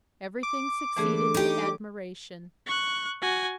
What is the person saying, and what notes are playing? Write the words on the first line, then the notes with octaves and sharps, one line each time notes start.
Everything succeeded to admiration.
D6
D3 E3 G3 A3 C4 G#4
D#4 G4 C#5
C#6 F#6
F#4 G#5